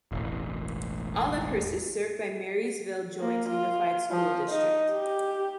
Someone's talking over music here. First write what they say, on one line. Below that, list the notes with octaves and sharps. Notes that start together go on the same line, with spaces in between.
Olivehurst is served by Marysville Joint Unified School District.
E1 A1
A#3
F4
F3
D#4
G4